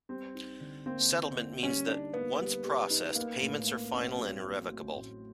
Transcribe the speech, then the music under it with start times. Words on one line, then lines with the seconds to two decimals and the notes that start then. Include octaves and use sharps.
"Settlement" means that once processed, payments are final and irrevocable.
0.09 G3 C4
0.35 D#4
0.60 D3
0.86 A#3 C4
1.11 D3
1.37 A#3
1.62 G3 C#4
1.87 D4 D#4
2.13 A#3 B3
2.39 G3
2.65 G3
2.90 D#4
3.15 A#3
3.41 A2
3.67 A#3
3.93 A1 C4
4.18 F#3
4.43 A#3
4.69 F#3
4.95 A1